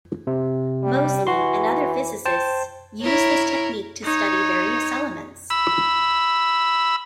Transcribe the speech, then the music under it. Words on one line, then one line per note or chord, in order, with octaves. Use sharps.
Moseley and other physicists used this technique to study various elements.
C3
G3
E3 F#4 C6
C5 G5 A5
E4 A#4 C#5
D#4 C#5
B5 E6